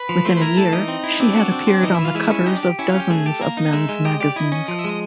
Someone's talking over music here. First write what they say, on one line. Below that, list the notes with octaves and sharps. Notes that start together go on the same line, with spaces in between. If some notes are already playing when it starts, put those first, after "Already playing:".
Within a year, she had appeared on the covers of dozens of men's magazines.
Already playing: B4
F3
A3 C5
B4
E4 A#4
A3 A4
E3 D#4
C4
E4
C4 D4
F#4
C4
C4
E3 D#4
E3 E4
F4
G#3 E4
C#4
D#4 G4
D4
G4
C#4 E4
F4
C#4
G4
A3 G#4
G4 A4
A#3 A#4
D#4 D#5
G#3 E5
G#3
G4 D#5
G4 D5
E4 D#5
C#4
F3
E5
G#3 D#5